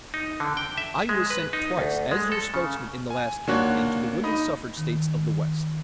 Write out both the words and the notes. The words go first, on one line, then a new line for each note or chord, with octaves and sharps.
I was sent twice as your spokesman in the last campaign to the Woman Suffrage States of the West.
D#4
D3
G5
E5
G#3
B4
D#4
D2
G#3
A4
C#3
G#5
D#2 A#3 D4 F#4 C#5 F#6
D#4 D#5 B5 D#6
D#3